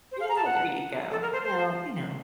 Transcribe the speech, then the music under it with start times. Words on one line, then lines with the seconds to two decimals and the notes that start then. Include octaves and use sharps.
Yeah. There you go. Well, you know,
0.12 C5
0.20 F5
0.29 A#5
0.37 A5
0.45 F#5
1.11 A4
1.22 A#4
1.33 C5
1.44 C5